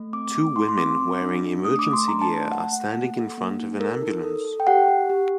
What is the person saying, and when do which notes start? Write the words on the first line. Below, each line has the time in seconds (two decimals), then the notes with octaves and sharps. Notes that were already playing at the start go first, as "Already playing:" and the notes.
Two women wearing emergency gear are standing in front of an ambulance.
Already playing: A3
0.13 C4 D6
0.35 A3 D6
0.56 A3 C6
0.68 C6
0.77 C4 D6
1.00 C4
1.21 D4
1.42 D4
1.65 A3 D#6
1.79 D6
1.86 A3
1.93 C6
2.07 D4 A#5
2.21 A5
2.29 A3
2.36 A5
2.50 A3 F#5
2.72 A3 F#5
2.94 A#3
3.16 A4
3.38 A#3
3.59 D#4
3.80 A4 A#4
4.02 D#4
4.23 A4
4.45 A4
4.60 G5
4.67 G4 F#5
4.88 G4
5.10 G4